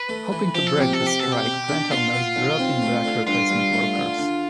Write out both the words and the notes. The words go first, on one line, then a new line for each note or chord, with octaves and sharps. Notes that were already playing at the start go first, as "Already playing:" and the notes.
Hoping to break the strike plant owners brought in black replacement workers.
Already playing: B4
A3
E3
F3 G4
A4
C3 G4
A4
C3
G4
B2 A4
G4
B2
D4
B3 F4
B3
B1
C4
A3
D3
G2 F4
G2
A3
D3
D3